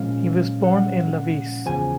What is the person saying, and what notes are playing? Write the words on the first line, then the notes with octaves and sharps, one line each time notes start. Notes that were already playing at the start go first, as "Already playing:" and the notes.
He was born in Levice.
Already playing: A#2 F3 G#3 C#4 F5
F#5
E2 C#3 F3 G#5